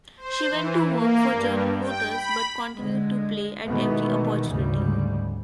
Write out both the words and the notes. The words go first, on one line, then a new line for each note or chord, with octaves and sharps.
She went to work for General Motors but continued to play at every opportunity.
C5
E3
A#3
G2
G5
B5
D3 G#3
B2 D#3 E3 G#3 A3 B3
D2 G#2 C#3 G3